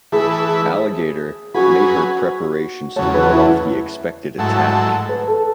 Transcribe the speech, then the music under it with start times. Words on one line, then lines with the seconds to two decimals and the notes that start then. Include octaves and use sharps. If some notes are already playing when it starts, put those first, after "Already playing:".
"Alligator" made her preparations to ward off the expected attack.
0.12 E3 A3 E4 G#4 B4
1.54 F#3 C#4 F#4 G#4 B4
2.96 E2 C#3 F#3 A3 C#5
3.14 B4
3.32 E4
4.38 G#2 F#3 A3 E4 A4
5.09 B4
5.28 A4